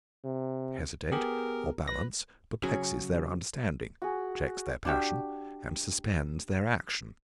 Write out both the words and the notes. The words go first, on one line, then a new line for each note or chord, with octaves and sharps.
To hesitate or balance perplexes their understanding, checks their passion, and suspends their action.
C3
B3 G4 G#4 A#4
B4 A#6
C#3 F#3 C#4 F#4 G#4
F#4 G#4
D4 F#4 G4